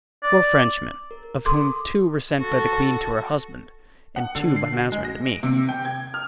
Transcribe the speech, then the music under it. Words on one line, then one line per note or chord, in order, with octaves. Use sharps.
"The four Frenchmen, of whom two were sent by the queen to her husband and two by Mazarin to me."
D5
A#4
A4 C6 D6 D#6
F#4 A4
F#5
D3
C7
F#4
G#3
A#6
D7
C3
G5
G#6
F6